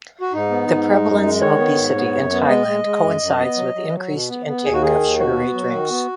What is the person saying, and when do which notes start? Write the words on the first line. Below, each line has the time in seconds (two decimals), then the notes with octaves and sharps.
The prevalence of obesity in Thailand coincides with increased intake of sugary drinks.
0.21 F#4
0.33 G#2 D#4
0.51 B3
0.69 G#2
0.87 G#3
1.05 F#2
1.23 G#3
1.41 D#3 C#5
1.59 B3
1.76 G#2
1.94 B3
2.13 F#2
2.31 B3
2.48 G#3 D#5
2.67 G#3
2.84 G#3
3.03 F#2
3.21 F#2
3.38 B3
3.56 F#3
3.74 F#3
3.93 F#3
4.11 B2
4.29 B3
4.47 B3
4.65 D#2 G#4
4.73 F#4
4.82 D#3 G#4
5.00 D#2
5.19 B2 F#4
5.37 B3
5.54 F#3
5.72 D#3
5.90 B3